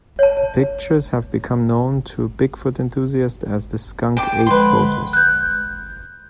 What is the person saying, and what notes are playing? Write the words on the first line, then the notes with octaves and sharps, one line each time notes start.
The pictures have become known to Bigfoot enthusiasts as the "skunk ape photos".
C#5 A5
G5 A5 D6
D3 F3 G#3 B4 C6
F#6 G6